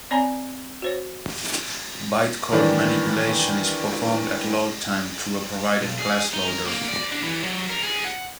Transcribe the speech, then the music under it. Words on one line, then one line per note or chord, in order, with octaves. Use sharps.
Bytecode manipulation is performed at load-time through a provided class loader.
C4 C#5 D5 G#5 A#5 B5
F#4 C5 C#5
G2 D#3 E3 D5
B1
G#4
D#4
A#4
A#3
D5
D4
E3
F#3
A#4
G#4
F#5